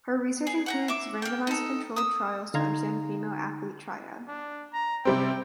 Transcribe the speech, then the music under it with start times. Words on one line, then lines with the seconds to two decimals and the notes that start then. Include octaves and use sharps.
Her research includes randomized controlled trials to understand the female athlete triad.
0.47 G#4
0.66 F#5 G5 A#5
0.88 E5 D6
1.22 A#3 G5
1.47 D#4 A4
1.96 D#6 E6
2.54 D3 D#4 F5 A#5 C6 G#6
4.28 D4
4.73 A#5
5.05 C3 G3 C4 G5